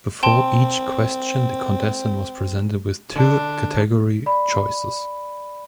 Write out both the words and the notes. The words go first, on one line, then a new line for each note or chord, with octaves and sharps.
Before each question, the contestant was presented with two category choices.
C4 G5 A5 C6
D3 D4
D5 B5